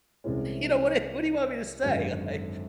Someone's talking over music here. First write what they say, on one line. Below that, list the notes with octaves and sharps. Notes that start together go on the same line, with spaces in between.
you know, what you what do you want me to say, like,
C2 C3 E3 G#3 C#4
G#1 F#2 D3